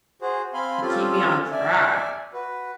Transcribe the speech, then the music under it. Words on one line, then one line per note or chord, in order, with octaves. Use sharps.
to keep me on track.
F#4 G#4 C5
C4 F5 G#5 B5 C6
C4 C#4 F4 G4 A4
D5 E5 G#5
F#4 B4